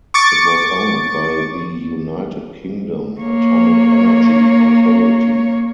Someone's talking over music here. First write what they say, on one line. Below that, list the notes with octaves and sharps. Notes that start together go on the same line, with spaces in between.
It was owned by the United Kingdom Atomic Energy Authority.
C#6 D6 A6 C#7
A#3 C#5